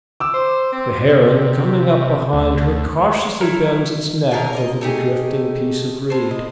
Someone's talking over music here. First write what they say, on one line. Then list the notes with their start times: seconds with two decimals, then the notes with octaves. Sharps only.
The heron, coming up behind her, cautiously bends its neck over the drifting piece of reed.
0.20 D6 E6
0.34 C5
0.72 C4
1.05 C3
2.33 D2
3.41 F#3 E4 A4 A#4
4.31 B2 G#4 A#4
4.53 A#4 D5 D#5
4.81 A3 D#4 G4 G#4
6.10 A2 C5
6.31 D#5